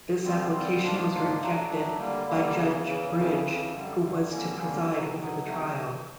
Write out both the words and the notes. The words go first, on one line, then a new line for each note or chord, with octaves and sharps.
This application was rejected by Judge Bridge, who was to preside over the trial.
D3 G3 C4 F4
D3 G3 C4 F4
G#2 F3 A#3 D4 F4
G#2 F3 A#3 D4 F4
F#3 A3 D4
F#3 A3 D4
D3 G3 A#3
D3 G3 A#3
E2 C#3 E3
E2 C#3 E3
F2 C#3 E3
F2 C#3 E3
F#2 D3 G3
F#2 D3 G3
F2 D3 G3 A#3 C#4
F2 D3 G3 A#3 C#4
B2 F#3 B3
B2 F#3 B3
E2 C3 D#3 F#3 A3